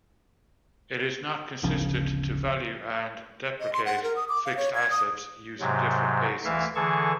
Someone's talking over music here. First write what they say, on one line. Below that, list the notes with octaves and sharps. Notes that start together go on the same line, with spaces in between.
It is not consistent to value and depreciate fixed assets using different bases.
D1 G1 C#3 F3
D#5
C6
F#5
A#4
D#6
D6
F5
C#5
G#6
D#6
G#2 C3 F#3
D2 E3 E5 F5
D3 E3 G#4 A4 A5 C#6